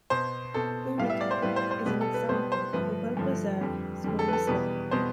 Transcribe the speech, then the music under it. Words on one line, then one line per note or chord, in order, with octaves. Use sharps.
"Boadicea" is an example of a well-preserved smaller smack.
B2 B3 C5
B2 B3 A4
A2 G3 B3 F5
E5
D5
C5
A2 G3 B3 B4
C5
C5
B2 G3 B3 B4
A4
B4
B2 G3 B3 C5
C5
G2 D3 F3 A3 B4
G2 D3 F3 A3
F2 D3 G3
F2 D3 G3
A4
B4
A4
E2 B2 G3 B3 B4
B2 G3 B3 C5